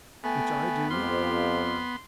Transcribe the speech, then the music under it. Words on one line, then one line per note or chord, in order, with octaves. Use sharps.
"Which I do."
A3 B3 G5 G#5
F2 F4 G4 C6 F6